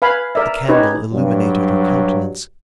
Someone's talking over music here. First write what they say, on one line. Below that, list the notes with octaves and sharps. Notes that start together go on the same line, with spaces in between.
The candle illuminated her countenance.
B4 F5 G#5 B5
A#4 D5 E5
C#4 D#4 G4 B4 C#5
G2 F#3